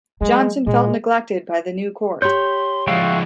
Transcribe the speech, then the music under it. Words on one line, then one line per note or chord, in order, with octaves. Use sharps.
Jonson felt neglected by the new court.
F#3 G#3 A3
A#2 G#3
G4 C#5 B5 C6 G6
F3 G#3 E4 F#4 F5 G5